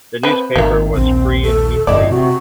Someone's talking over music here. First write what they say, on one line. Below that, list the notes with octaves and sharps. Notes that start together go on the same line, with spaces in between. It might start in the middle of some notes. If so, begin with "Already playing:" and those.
The newspaper was free and weekly.
C4 B4
G#1 D#3 A3 A#3
A#1 D#2 C4
A4
G1 F2 A2 E4 D5 D#5
C3 F#4